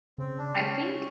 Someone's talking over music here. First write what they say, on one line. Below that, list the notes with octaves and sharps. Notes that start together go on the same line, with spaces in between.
I think
C#3 C4
D4
C#4